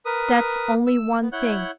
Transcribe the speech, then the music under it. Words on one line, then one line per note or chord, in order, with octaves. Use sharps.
That's only one thing.
A#4 B4 D#6
E6
B3
E4 C#5 F#5 F#6 G6